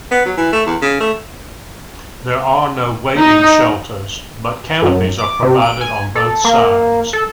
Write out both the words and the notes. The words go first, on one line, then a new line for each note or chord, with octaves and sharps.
There are no waiting shelters, but canopies are provided on both sides.
B3
F#3
E3
A3
E2
C#3
A3
D#4
F#2
D6
C3
D7
G#5
A4
A#3
A4